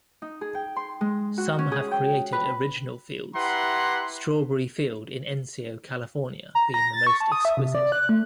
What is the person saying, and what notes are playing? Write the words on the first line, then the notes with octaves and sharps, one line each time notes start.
Some have created original fields, Strawberry Field in Encino, California being the most exquisite.
D#4
G#4
G5
C6
G#3
F#4
C#4
G#4
G5
B4
E4 G4 B4 F#5 A#5 C6
A#5
A#6
A6
C#6
A5
D#6
E5
C3
D5
F#6
A3